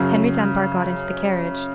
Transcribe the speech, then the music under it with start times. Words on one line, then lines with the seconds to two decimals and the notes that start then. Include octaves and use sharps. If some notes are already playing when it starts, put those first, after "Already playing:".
Henry Dunbar got into the carriage.
Already playing: F#2 C#3 F#3